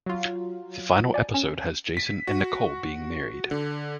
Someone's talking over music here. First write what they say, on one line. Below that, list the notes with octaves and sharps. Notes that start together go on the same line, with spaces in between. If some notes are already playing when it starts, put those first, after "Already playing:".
The final episode has Jason and Nicole being married.
F#3 F4
D5 G#5
C#4
B6
F#4
D3